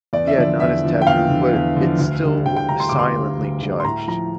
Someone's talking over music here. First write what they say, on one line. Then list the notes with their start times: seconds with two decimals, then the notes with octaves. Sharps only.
Yeah, not as taboo, but it's still silently judged.
0.13 E2 D5
0.27 E5
0.37 D3 F3 D5
0.60 E2 E5
0.83 D3 F3
1.02 G5
1.07 E2 F5
1.29 D3 F3
1.53 E2
1.76 D3 F3
1.99 D2
2.23 D3 G3
2.46 D2 G5
2.56 G5
2.69 D3 G3 A#5
2.80 C6
2.89 D2 D6
2.99 C6
3.15 D3 G3
3.38 D2
3.62 D3 G3
3.80 C6
3.85 A2 A#5
4.08 F3 A#5